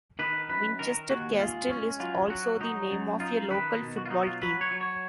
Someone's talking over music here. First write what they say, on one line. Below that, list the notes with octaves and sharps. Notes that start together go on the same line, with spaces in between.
Winchester Castle is also the name of a local football team.
D#3 B4
F#2 B4
D#3 A#4
D#2 F#4
G#3 F4
C#4
F#3 F4
F#3 F#4
F#3 D#4
F#2
D#4 F4
D#3 B4
B2
F#4
F4
F#3 D#4
F4
F#3 B4
C#5
F#3
C#5